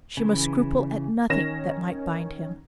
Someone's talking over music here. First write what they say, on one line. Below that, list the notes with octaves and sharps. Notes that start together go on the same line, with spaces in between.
She must scruple at nothing that might bind him.
C#3 E3
D#3 C#4 A#6 E7